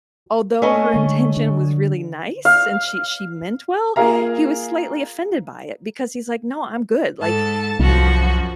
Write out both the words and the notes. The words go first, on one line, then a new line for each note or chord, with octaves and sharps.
although her intention was really nice and she she meant well, he was slightly offended by it because he's like, "No, I'm good, like,
A3 C#4 D#5
D3 G#3
D3
F5
A#3 F4 G#4 A#4 F5 A#5
G#2 A4 A5
C2 F#2 F3 F#4